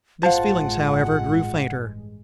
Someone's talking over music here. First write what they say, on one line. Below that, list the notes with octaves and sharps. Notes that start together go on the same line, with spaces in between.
These feelings, however, grew fainter.
A1 G2 G#3 F4 C5 F5 F#5 A5